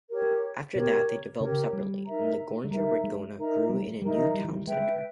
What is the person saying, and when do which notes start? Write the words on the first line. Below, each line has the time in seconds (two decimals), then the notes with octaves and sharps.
After that they developed separately, and Gornja Radgona grew into a new town centre.
0.10 G4 A#4 C#5
0.75 B2 G4 A#4 C#5
1.40 C#3 G4 A#4 C#5
1.73 G3
2.06 D#4 A#4 E5 A#5
2.64 G#3
2.71 G3 D#4 A#4 E5 A#5
3.04 G#3
3.36 D#4 A#4 E5 A#5
3.69 G3
4.02 G3 D#4 A#4 E5 A#5
4.18 E3
4.34 G3
4.44 E3
4.52 G3
4.67 G#3 B4 E5 G5